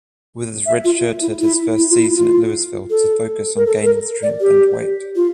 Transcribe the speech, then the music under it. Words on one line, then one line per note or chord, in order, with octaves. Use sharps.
Withers redshirted his first season at Louisville to focus on gaining strength and weight.
E5
F4
E4
E4
E4
F4
E4
F4
A4
A#4
A4
A#4
D5
G4
F4